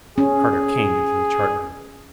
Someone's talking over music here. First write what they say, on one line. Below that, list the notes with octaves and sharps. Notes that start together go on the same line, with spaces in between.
Carter came into the chart room.
C#4 G#4